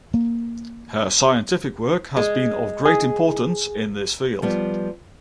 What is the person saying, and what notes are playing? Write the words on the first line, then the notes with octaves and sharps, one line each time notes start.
Her scientific work has been of great importance in this field.
A#3
G#3
G#4
F3 G3 B3